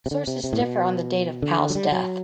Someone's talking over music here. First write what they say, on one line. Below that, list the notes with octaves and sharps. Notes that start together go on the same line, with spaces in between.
Sources differ on the date of Powell's death.
C3
D3
C3
C3
A2
B2
D3
F#3
G3
F#3